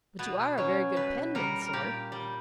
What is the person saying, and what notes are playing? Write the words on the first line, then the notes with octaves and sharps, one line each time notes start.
'But you are a very good penman, sir.
B2 B3
F#3 C#4
B2 B4
G3 A#4
A#4
A#2 G4
G3